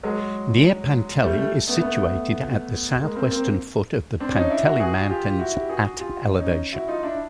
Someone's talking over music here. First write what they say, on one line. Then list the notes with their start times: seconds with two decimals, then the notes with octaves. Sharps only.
Nea Penteli is situated at the southwestern foot of the Penteli mountains, at elevation.
0.03 F#3 G#3
1.23 G3 A3
1.37 G3 A3
1.67 A3 B3
1.82 A3 B3
3.01 G#3 A#3
3.16 A#3 C4
3.31 A#3 C4
4.20 C4 D4
4.35 C#4 D#4
4.50 D4 E4
4.65 E4 F#4
4.80 F#4 G#4
5.09 F4 G4
5.39 E4 F#4
5.58 G4
5.69 F#4 G#4
5.98 F4 G4
6.39 C#4 D#4
6.73 E4 F#4
6.88 D#4 F4
7.03 D4 E4